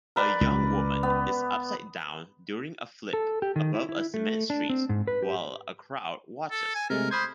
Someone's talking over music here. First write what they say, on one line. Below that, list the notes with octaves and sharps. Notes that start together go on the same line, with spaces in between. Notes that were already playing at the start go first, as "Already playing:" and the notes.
A young woman is upsidedown during a flip above a cement street while a crowd watches.
A#4 B4 D5
C#2
B3
A4
G4
D#3
E4
E4
A3
D4
C4
G#2
B4
G4
A4
G#5
C3 G#3 A3 A#4
C5 B5 D#6 G#6